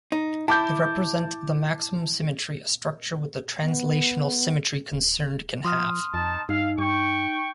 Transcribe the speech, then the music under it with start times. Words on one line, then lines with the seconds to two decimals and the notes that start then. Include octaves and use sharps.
They represent the maximum symmetry a structure with the translational symmetry concerned can have.
0.12 D#4
0.48 E4 A5 D6 G6
3.62 B3
4.92 D1
5.65 F3 C6 D#6 F6
6.14 F2 D#4 A5
6.49 G2 D#4 F5
6.78 G2 G5 C#6